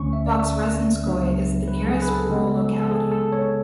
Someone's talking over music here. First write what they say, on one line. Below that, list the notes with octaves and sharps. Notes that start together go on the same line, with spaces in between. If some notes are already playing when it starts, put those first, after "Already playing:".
Voskresenskoye is the nearest rural locality.
Already playing: D2 D3 A3 C#4 C#6
E5
D5
E5
C#2 C#3 F#3 B3 D4
B4
G#4
B4
A4
C#3 G#3 B3
A4
G#4
A4
C#5